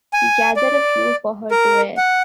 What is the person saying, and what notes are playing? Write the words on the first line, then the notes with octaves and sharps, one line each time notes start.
He gathered a few for her to wear.
G#5
D5
A#4
F#5